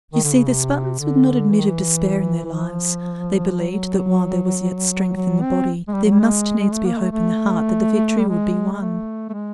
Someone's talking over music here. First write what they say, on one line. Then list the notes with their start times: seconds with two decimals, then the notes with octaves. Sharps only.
You see, the Spartans would not admit of despair in their lives; they believed that while there was yet strength in the body, there must needs be hope in the heart that the victory would be won.
0.14 D#3
0.24 D3
0.35 C#3
0.46 C3
0.99 D3
1.51 E3
1.59 D#3
1.67 E3
2.45 E3
2.55 F3
3.60 F#3
5.16 F#3
5.42 C4
5.88 G#3
5.94 G3
6.04 F#3
6.12 G3
6.20 G#3
6.72 A3
6.86 A#3
6.98 A3
7.12 A3
8.19 G3
8.28 G#3
8.73 G#3
8.82 A3
9.29 A3
9.33 G#3